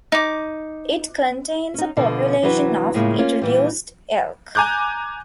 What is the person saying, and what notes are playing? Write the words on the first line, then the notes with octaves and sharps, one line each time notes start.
It contains a population of introduced elk.
D#4 D6
C#4 D#4
B2 D3 F3
C3 E3 F#3 D4 F#4 B4
A2 C#3 G#3 A#3 F4
A#3 C#4 F4
A#2 E3 G3
G#5 A#5 D6 F#6 G6